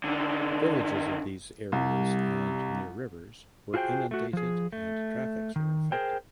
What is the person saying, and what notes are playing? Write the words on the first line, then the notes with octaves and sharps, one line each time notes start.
Villages in these areas and near rivers were inundated and traffics were affected.
D3 D#3
C2 G3
F4 F#4 G#4 C5 G5
A3 F#4
F3 G#4
A3
D#3
G#4 A#4 C5 G5